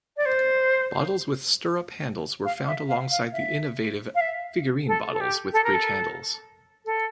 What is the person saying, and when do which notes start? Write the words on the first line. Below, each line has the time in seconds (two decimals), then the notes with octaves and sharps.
Bottles with stirrup handles were found alongside the innovative figurine bottles with bridge handles.
0.16 D5
0.25 C5
2.44 F5
2.67 E5
2.88 F5
3.11 F5
3.32 E5
4.15 F5
4.20 E5
4.87 A4
5.12 A4
5.20 G4
5.52 A4
5.64 A#4
5.74 A4
6.85 A4